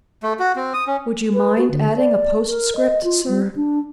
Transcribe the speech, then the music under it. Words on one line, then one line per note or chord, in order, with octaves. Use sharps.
"Would you mind adding a postscript, sir?"
A3
F#4
C4
D#6
C#4
B4
F#4
D3
D5
A#4
D#5
F4
G3
D4